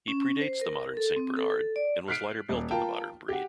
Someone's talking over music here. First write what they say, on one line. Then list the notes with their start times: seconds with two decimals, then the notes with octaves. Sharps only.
He predates the modern Saint Bernard, and was lighter built than the modern breed.
0.08 C#4
0.41 C5
0.61 A#4
0.97 A4
1.16 C4
1.37 A4
1.51 A4
1.76 D5
2.08 F6 F#6 B6 C7 D7
2.49 D#1
2.71 F4 A#4 G5 A5
3.29 G4 F#5